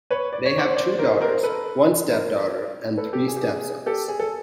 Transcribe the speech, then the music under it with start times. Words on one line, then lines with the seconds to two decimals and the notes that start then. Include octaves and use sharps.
They have two daughters, one stepdaughter, and three stepsons.
0.10 B4 C#5
0.33 D5
0.46 C#5
0.58 C5 D5
0.71 C#5
0.77 C5 D5
0.99 A#4 C5
1.21 A#4 C5
1.43 A4 B4
2.10 A#4 C5
2.98 A4 B4
3.13 G4 A4
3.28 G#4
3.37 G4
3.42 G#4
3.86 G4 A4
4.08 G#4
4.20 A4